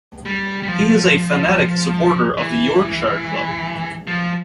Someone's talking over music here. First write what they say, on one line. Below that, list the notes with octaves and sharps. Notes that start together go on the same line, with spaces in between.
He is a fanatic supporter of the Yorkshire club.
G3
G3
F3
E3
F3